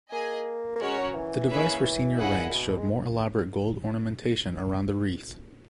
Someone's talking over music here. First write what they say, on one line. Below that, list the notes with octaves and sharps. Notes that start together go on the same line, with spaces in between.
The device for senior ranks showed more elaborate gold ornamentation around the wreath.
A#3 G#4 D#5 G#5
A#3
G#3 C#4 F#4 A#4 C#5
F#3
E3
A#3 C#4 G#4 B4 E5
E3
C#3 E4 G#4 B4 D#5 F#5
A#2
A#2
B2
G#3